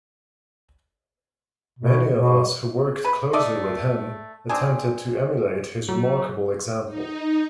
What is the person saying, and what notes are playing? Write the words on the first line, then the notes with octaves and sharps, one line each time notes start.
Many of us who worked closely with him attempted to emulate his remarkable example.
B2
B2
B4
A3 D5 D#5
C4 D4 G#4
F#3
D#4